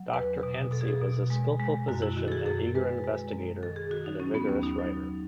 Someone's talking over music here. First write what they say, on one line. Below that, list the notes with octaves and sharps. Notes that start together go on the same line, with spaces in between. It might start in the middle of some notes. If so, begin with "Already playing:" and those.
Doctor Anstie was a skilful physician, an eager investigator, and a vigorous writer.
Already playing: F#3
E2 B4
B2
B2 A4
G#4
A4
B2
G#3
G#3
F#2 F#4
E4
D#3 F#4
A4
G#4
F#2 A4
G#3 B4
G#3
F#2
D#3 A4
G#4
D#3 F#4
D#4
F#3 C#4
B3
D#2 C#4
D#4
F#3